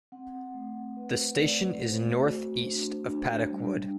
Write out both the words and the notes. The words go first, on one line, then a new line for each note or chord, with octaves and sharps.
The station is north east of Paddock Wood.
C4 F#5
A3
C4 B4
C5
A3 D5
D5
A3 C5
F#4
D4
D4
G3